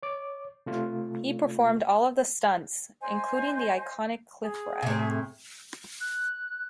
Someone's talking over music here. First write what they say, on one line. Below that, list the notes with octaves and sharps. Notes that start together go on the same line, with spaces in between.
He performed all of the stunts, including the iconic cliff ride.
C#5 D6
C3 A3 F4
C5 D#5 G#5
G#4
A2 C3
F#6